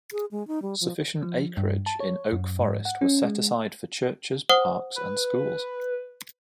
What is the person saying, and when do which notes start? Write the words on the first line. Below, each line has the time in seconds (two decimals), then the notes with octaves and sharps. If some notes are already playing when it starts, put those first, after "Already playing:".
Sufficient acreage in Oak Forest was set aside for churches, parks and schools.
0.12 G#4
0.31 G#3
0.47 D#4
0.62 G3
0.81 F3
1.23 F3
1.57 G2
1.86 A5
2.00 C#5
2.32 F#2
2.59 G#2
2.85 F#5
3.01 C#4
3.23 G#3
4.49 C5 F#5 D#6
4.96 B4